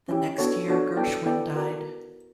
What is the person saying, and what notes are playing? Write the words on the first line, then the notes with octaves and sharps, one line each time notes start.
The next year Gershwin died.
C#4 E4 G4
B3 D4 F#4 A4 C#5
B3 D4 F#4 A4 C#5
B3 E4 A4 D5 G5
B3 E4 A4 D5 G5
F#4 A#4 D5